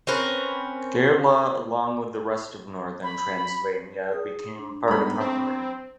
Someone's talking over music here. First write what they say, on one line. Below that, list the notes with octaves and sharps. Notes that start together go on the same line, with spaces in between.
Gherla along with the rest of northern Transylvania became part of Hungary.
C4 C#4 A#4 B4
B5
G#4 D#6
D4
G#2 G3 B3 A#5 B5
C4